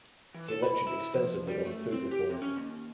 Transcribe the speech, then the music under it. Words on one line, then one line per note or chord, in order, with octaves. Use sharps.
He lectured extensively on food reform.
E3
A4
B5
E4
F3
G3
A3
C4
G4
C3
C#4
D#2